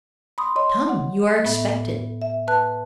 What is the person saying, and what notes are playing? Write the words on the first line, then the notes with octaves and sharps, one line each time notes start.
"Come, you are expected!"
B5 C6 D#6
C#5 D#5 C6
F#5
A2 B3 E5
E5
B4 A5 F#6